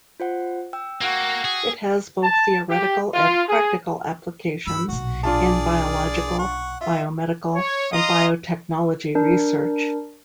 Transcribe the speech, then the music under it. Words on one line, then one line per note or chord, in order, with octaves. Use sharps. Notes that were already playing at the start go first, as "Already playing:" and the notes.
It has both theoretical and practical applications in biological, biomedical and biotechnology research.
F4 C5 F#5
G5 E6
A#3 F#4
G#4
A5
G4
F4
G#4
G2 B5 E6
B1 A#2 F#4
D4 F4 G#4 D5 A5
F#5 C#6
F4 E5
C#5
D#5 F5 A#5 C6 D#6
D4 A#4